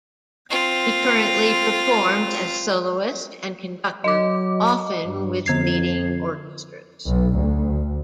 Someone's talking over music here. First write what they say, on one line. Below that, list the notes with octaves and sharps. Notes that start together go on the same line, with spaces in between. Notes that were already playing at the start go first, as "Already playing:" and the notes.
He currently performs as soloist and conductor, often with leading orchestras.
C4 F4
F#3 D#5 D6
G2
F2 D3 G#6 C7
B1
D2